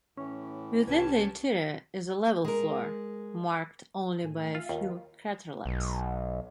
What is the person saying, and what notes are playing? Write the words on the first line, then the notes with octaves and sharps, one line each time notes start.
Within the interior is a level floor marked only by a few craterlets.
A2 E3 C#4
C2 C#4 G4 B4 A5 G#6
G#3 A#4
A2 A3 G#5
F4 E5 F5
D#2 F4
B1